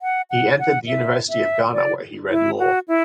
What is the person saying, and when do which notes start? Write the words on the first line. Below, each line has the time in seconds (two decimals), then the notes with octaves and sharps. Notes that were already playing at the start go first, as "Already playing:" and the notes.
He entered the University of Ghana where he read Law.
0.02 F#5
0.30 F#5
0.59 F#5
0.87 E5
1.30 E5
1.73 D5
2.31 E4
2.59 F#4
2.88 E4